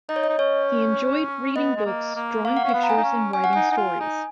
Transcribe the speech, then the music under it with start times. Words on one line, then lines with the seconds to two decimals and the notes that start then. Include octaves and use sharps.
He enjoyed reading books, drawing pictures, and writing stories.
0.09 D#4 D#5
0.16 C#5
0.24 D#5
0.29 D#4
0.39 C#4 C#5
1.56 B3 D#5
1.77 G#3
1.86 A#3
2.16 A#3
2.45 A#3 F5
2.57 F#5
2.64 C#4 F5
2.74 B3
2.83 A#5
2.90 G#5
2.97 D#4
3.03 C#4
3.33 C#4 G#5
3.44 F#5
3.53 D#4 G#5
3.71 D#4
3.77 F4
4.00 D#4